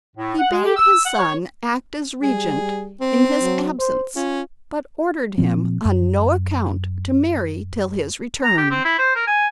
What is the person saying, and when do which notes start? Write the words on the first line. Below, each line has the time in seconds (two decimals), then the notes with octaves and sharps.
He bade his son act as Regent in his absence, but ordered him on no account to marry till his return.
0.16 A2
0.39 F#5
0.51 G#3
0.65 G4
0.76 E6
1.05 F#5
1.18 C#5
2.23 G3 G#4
3.01 C4
3.41 F#3
3.79 C5
4.16 C#4 F4
5.38 A#2 F3 C4
5.85 F#2
8.44 A#5
8.57 G4
8.71 C4
8.85 E4
8.98 C5
9.15 A#4
9.27 G#5